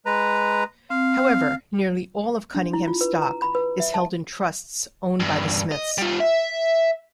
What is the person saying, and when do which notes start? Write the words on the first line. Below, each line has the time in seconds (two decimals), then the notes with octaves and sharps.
However, nearly all of Cunningham's stock is held in trusts owned by the Smiths.
0.06 G#3 B4 A#5
0.90 C4 F5
2.55 D4
2.73 E4
2.88 F4
3.01 B4
3.22 A#5
3.42 B5
3.55 B4
3.80 E5
3.94 A5
5.20 E2 G2
5.72 D#5
5.98 G3 F4
6.20 E5